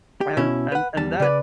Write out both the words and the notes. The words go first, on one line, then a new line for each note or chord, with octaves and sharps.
and and and that
G4
B2 C#4 E4
B4 F#5
E2 G3 A5
C#3 B4 D5